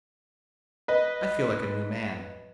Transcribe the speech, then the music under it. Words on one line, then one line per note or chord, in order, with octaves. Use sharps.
"I feel like a new man."
B4 D#5